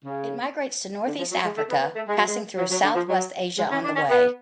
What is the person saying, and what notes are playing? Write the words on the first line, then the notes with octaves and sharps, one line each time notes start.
It migrates to Northeast Africa, passing through Southwest Asia on the way.
C#3
D3
F3
F#3
G#3
A3
B3
B3
A3
G#3
F#3
G#3
F#3
F#3
D3
F3
F#3
G#3
C#4
D4
C#4
B3